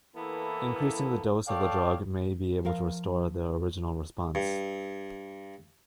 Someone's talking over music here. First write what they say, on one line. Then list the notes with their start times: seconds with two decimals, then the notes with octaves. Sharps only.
Increasing the dose of the drug may be able to restore the original response.
0.15 E3 A#3 B3 E4 A4
1.48 A4 C#5 D5 F5 G5 A5
2.65 F3 A#4 F5
4.35 G2